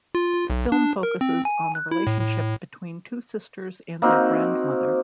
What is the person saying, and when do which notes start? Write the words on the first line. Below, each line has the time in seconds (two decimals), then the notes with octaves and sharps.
The film focuses on the relationship between two sisters and their grandmother.
0.15 F4
0.33 F4
0.50 B1
0.72 D4
1.03 A#4
1.21 C4
1.45 G#5
1.75 F#6
1.91 E4
2.07 A2
2.20 A2
4.02 A#3 C4 D#4 F#4